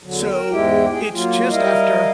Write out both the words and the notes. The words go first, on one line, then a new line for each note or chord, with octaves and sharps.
So, it's just after
E2 D3 F#3
A#4 G5
E2 G#2 G#3 E4 G4 G5
G#4 G5
F#3 A#3 F4
G3 E4 A#4 D#5 F5